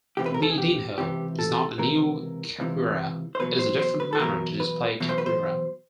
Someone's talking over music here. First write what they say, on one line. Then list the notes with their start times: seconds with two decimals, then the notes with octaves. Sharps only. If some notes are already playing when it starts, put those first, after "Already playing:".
Miudinho is not a new capoeira, it's a different manner to display capoeira.
0.17 C#2 C3 E3 G4
0.26 B4
0.34 A#4
0.42 A4
0.50 G#4
0.58 G4
0.98 C#2 C3 E3 G4
1.39 A4
1.78 C#2 C3 E3 A#4
2.58 C#2 C3 E3
3.35 C5
3.39 E2 B2 F#3 B4
3.59 C5
3.79 C5
4.00 B4
4.13 A4
4.20 E2 B2 F#3 A#4
4.60 B4
5.00 E2 B2 F#3
5.09 C5
5.18 B4
5.26 C5